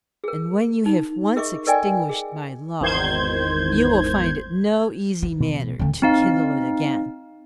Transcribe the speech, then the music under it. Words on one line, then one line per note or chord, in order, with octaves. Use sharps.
And when you have once extinguished my love, you will find it no easy matter to kindle it again.'
G#4 A#4
D#4
G#4 A#4 D#5 E5 C#6 D6
A4 A#4 D5 D#5 G5 G#5
G#4
G#1 E2 D#3 C5 G6 G#6
E3
B2
D#2 D3 A3 C#4
C4 D#4 F5